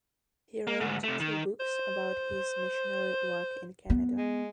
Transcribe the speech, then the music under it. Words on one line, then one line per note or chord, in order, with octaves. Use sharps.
He wrote two books about his missionary work in Canada.
A#3
D2 G#2
C3 A3
D#3
C5
B3
G#3